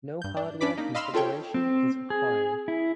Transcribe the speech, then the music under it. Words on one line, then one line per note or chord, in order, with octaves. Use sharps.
No hardware configuration is required.
G2 G6
D4
C#4 D4 D5 B5 D6 B6
A#3 D#4
D#5 F5 B5 C6 E6 F6
C4 F4 A4 C#5 G5
C4
G#4
E4